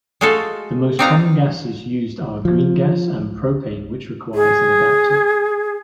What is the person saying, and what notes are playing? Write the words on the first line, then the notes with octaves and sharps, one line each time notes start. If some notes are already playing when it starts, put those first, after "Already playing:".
The most common gases used are "green gas" and propane which requires an adaptor.
G#3 A3 F4 F#4 A4
C4 D4 D#4 F5 A#5
F3
G#4